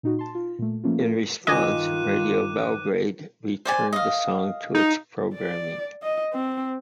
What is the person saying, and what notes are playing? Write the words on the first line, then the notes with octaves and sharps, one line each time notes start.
In response, Radio Belgrade returned the song to its programming.
A#2 D#4 F#4
A5 C6
F4
A#2 A3
F3 A3 A#3 C#4 F4
F4 A4 A#4
G2 D#3 F4 D#5 G#5 D6 F#6 D#7
C5 D5 G#5
D#5 F5
D#4
D5
D#5
C4